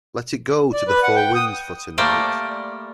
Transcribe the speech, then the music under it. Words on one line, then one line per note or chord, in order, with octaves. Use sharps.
Let it go to the four winds for tonight.
D5
B4
F#5
G5
D#6
G3 A3 A#3 C5 D5